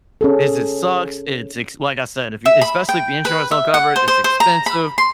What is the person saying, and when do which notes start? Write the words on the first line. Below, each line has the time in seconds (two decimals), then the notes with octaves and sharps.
is it sucks, it's ex like I said, if you especially if the insurance don't cover it, it's expensive.
0.21 C#4 G#4 A4
2.45 E5
2.61 B5
2.89 G5
3.25 B4
3.51 E5
3.74 F#5
3.96 C5
4.08 C5
4.24 C5
4.40 A#5
4.66 B5
4.98 C6